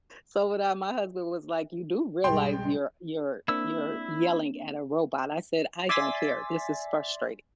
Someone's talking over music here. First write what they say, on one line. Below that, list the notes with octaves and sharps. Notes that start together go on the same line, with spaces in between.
so would I. My husband was like, "You do realize you're you're you're yelling at a robot." I said, "I don't care. This is frustrating."
B1 G2 G#3 G5 C6
A#3 C4 D4 E4 E6
D5 E5 G#5 C6 A6 B6